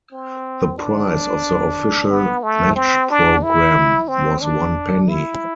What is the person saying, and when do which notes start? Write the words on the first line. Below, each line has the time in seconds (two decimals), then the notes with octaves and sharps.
The price of the official Match Programme was one penny.
0.12 C4
0.78 D4
2.11 B3
2.43 A3
2.76 C4
3.10 D4
3.43 E4
4.08 C4
4.42 D4
5.08 E4